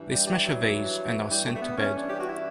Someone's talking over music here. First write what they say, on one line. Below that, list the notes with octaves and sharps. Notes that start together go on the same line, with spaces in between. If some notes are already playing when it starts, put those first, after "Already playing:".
They smash a vase and are sent to bed.
Already playing: G2 E3
G3
G3
F#3
G2 E3 G3
A3
A3
B3
C#4
D4
G4
F#4
E4